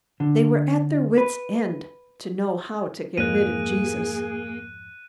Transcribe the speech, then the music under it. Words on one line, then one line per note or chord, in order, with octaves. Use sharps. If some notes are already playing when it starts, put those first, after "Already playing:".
They were at their wits' end to know how to get rid of Jesus.
D3
B4
F2 G#2 A#3 G#4 F#6 D#7